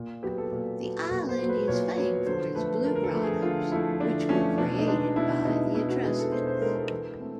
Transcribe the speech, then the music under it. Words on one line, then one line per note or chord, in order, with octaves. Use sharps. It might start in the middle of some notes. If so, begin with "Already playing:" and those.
The island is famed for its Blue Grottoes, which were created by the Etruscans.
Already playing: A#2
F#3 B3 G4
A4
A#2
F#3 B3
A#2 A#4
C5
F#3 B3
B4
A#2 C#5
F#3 B3 C#5
D3 C5
F3 A3 B4
D3 A#4
A#4
A4
F3 A3
G#4
D3 F4
F3 A3 E4
D3 D4
F3 A3 C#4
B2 D4
D#4
G#3 B3 D4
B2 E4
G#3 B3 D#4
B2 E4
F#4
G#3 B3 G#4
A4
B2 C5
C5
G#3 A#4
B3
A4
E3
A3 C4